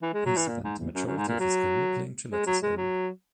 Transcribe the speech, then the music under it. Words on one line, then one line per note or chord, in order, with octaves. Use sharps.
He spent majority of his career playing at Galatasaray.
E3
G#3
F#3
E3
A#2
G#2
E2
F#2
F#2
G#2
A#2
F#3
G#3
F#3
G#3
F#3